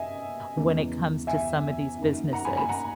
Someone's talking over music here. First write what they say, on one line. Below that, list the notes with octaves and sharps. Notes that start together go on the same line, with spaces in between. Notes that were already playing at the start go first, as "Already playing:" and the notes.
when it comes to some of these businesses.
Already playing: F#2 B3 D#5 E5 G#5
E2 C#3 E3 G#3
E5 G#5
F#2 D#3 A#3 D#4
F#5 A#5
G#5 B5
G#5 B5
F#5 A#5